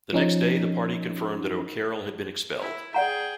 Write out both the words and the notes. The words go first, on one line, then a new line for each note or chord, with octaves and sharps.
The next day, the party confirmed that O'Carroll had been expelled.
F3 C#4 D#4
E4
G#4 D5 F#5 G5 A#5